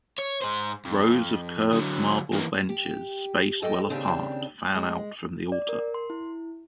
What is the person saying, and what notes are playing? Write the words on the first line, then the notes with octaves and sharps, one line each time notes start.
Rows of curved marble benches, spaced well apart, fan out from the altar.
C#5
G#2 C5
F2
D3 F#3
E3 A#3
G4
F#2 A4 D#5 G5
D#2 C#3 C4 D4 F#4 G4
G#3
D5
A#4
C6
E4